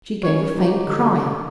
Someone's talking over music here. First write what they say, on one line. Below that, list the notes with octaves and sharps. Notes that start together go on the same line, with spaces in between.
She gave a faint cry.
C#4 C#5
F#3 D#4 G4
D3
D#3 A#3 B3